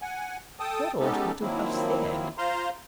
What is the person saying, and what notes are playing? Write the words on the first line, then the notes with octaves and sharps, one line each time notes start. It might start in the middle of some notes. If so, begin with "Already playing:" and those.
What ought he to have SAID?
F#5 G#5
A4 G5 A5 D#6
G#3 B3 C#4 D#4 G4 A4
D#3 F3 F#3 A#3 C4 E4
F4 C5 F5 A#5 C6